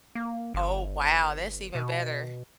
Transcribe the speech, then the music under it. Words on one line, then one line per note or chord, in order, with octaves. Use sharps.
Oh, wow. That's even better.
A#3
G1
B2